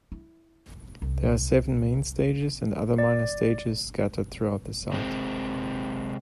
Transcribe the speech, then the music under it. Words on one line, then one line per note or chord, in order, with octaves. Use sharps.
There are seven main stages and other minor stages scattered throughout the site.
E4
C2
D5
C3 G#3 C4